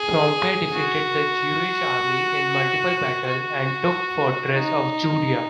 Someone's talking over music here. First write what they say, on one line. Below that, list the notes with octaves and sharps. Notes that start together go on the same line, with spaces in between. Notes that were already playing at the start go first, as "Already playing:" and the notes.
Pompey defeated the Jewish armies in multiple battles, and took the fortresses of Judea.
Already playing: G#4
F#4
F#4
D#4